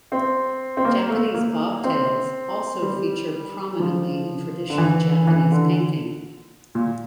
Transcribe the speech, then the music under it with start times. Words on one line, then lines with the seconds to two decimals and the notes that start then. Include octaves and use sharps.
Japanese Bobtails also feature prominently in traditional Japanese painting.
0.12 C4
0.77 C4
0.85 A#3
1.09 A3
1.35 A#3
1.84 C4
2.82 G3
3.80 F3
4.70 D3
4.78 E3
5.27 E3
5.52 D3
6.75 A#2